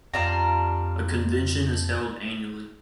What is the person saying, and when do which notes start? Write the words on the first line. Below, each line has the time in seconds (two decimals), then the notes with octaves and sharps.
A convention is held annually.
0.14 F2 G3 D4 F4 A#5